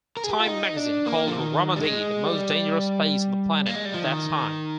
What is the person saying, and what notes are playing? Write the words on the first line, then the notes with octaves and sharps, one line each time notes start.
"Time" magazine called Ramadi the most dangerous place on the planet at that time.
A#4
G#4
G4
F4
D#4
D4
A#3
F3
D#3
G3
G#3
G3
A#3
G#3
G3
F3
D#3